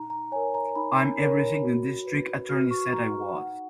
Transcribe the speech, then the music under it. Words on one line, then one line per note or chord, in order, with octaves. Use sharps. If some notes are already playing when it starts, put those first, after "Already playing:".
I'm everything the District Attorney said I was.
Already playing: D#4 A#5
A#5
A#4 C#5 G#5
A#5
D#4 B5
A#4 C#5
F#4
B4
F#4 F6
C#6
B4 A#5
D#4 F#5